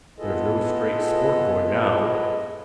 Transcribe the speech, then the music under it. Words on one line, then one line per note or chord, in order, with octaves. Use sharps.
There's no straight sport going now.
B3 E4 F4 G#4 A4 D#5